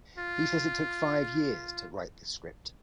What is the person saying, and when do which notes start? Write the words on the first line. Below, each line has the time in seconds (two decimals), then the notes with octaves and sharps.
He says it took five years to write the script.
0.19 F4